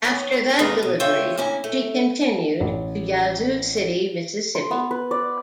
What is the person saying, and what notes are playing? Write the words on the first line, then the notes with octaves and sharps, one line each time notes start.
After that delivery, she continued to Yazoo City, Mississippi.
D#3 C#4
D#2 C3 G#3 A3 A#4 B4
B2
F4 C#5 E5 G5
D2 A#3 C#4 E4 G#5
A3
A1
C6
B3
B4
D5